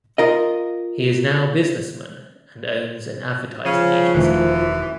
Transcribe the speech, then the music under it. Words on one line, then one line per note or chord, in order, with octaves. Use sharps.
He is now businessman and owns an advertising agency.
F4 A#4 D#5
C#3 F3
E1 F#2 D#3 E3 A3